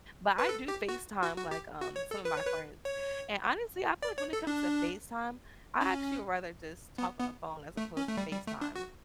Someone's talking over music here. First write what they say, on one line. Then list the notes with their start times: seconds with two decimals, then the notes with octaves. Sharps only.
but I do FaceTime, like, um, some of my friends. And, honestly, I feel like when it comes to FaceTime, I actually would rather just talk on the phone as opposed to FaceTime.
0.38 B4
0.49 A4
0.68 G4
0.89 F#4
1.22 F#4
1.37 F#4
1.51 G4
1.81 F#4
1.96 C#5
2.11 A4
2.25 B4
2.37 C#5
2.47 B4
2.85 C#5
4.02 D5
4.18 C#5
4.33 A4
4.47 D4
5.81 C#4
6.98 B3
7.19 B3
7.77 A3
7.97 C#4
8.08 A3
8.17 G3
8.32 G3
8.47 A3
8.61 D4
8.76 F#4